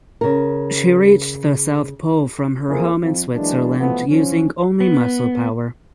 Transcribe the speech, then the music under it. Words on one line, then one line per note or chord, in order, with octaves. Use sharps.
She reached the South Pole from her home in Switzerland using only muscle power.
C#3 A#4
F2 A#3 E4 G#4 A#4 C5
F2
E3 F#3 G#3 A#3 D4
B2 E3 F3 A3 B3
F3 C#4
B3